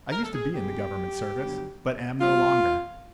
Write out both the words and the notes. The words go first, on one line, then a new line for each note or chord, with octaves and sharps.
I used to be in the government service, but am no longer.
A#4
A4
G#4
B2 G#3 B3 G4
G2 D3 F#3 B3
A#2 G3 B3 F4